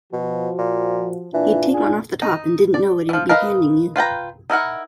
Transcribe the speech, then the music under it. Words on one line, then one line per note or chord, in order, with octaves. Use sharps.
He'd take one off the top and didn't know what he'd be handing you.
B2 F3 F#4
A#2
A#2 E3 D4 F4
G#4
D#4
D5
E3 F3
A#4 B4 D#5 F5
F4 B4 G5 A#5
D#4 E4 A#4 F#5